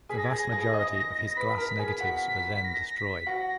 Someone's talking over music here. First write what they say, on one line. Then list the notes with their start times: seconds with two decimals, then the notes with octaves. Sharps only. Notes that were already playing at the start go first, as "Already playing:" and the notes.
The vast majority of his glass negatives were then destroyed.
0.09 G#4 G#5 B6
0.17 A#6
0.25 G#6
0.30 G#4 G#5 A#6
0.52 G#4 G#5
0.73 D#5 D#6
1.36 B4 B5 B6
1.57 A#4 A#5
1.79 G#4 G#5
2.00 F#4 F#5
2.64 A#6
2.96 B6
3.26 F#4 F#5 A#6